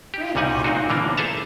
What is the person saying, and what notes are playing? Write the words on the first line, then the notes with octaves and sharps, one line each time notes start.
Grant that at any rate.
G4
C2 A#2 G3 D#4 F#5 G#5
A#2 C4 D#4 F#4
D3 E3 A#3 D4
G#4 A4 C5 E5 A5 A#5